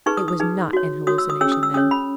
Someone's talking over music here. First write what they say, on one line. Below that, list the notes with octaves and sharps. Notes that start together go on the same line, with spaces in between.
It was not an hallucination, then.
D#4 G#4 B4 C#6
D#6
D#6
D#4 G#4 B4
F#4 C#5
F#4 C#5 D#6
E6
D#6
C#4 G#4 C#5 E6
D#6
E6
C#4 G#4 C#5 D#6
B5